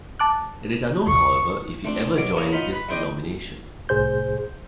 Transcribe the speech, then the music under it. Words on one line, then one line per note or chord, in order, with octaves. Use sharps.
It is unknown, however, if he ever joined this denomination.
A5 D6 F#6
A1 D#2 C#6
A3 C4 D4
B2 F#3 D6
A#3 C#4 E4 A5 A#5
B3 D#4 F4 B5
B4 B5
E2 E4 C5 D5 D#5 G5
C2 A2 G#4 C5 G6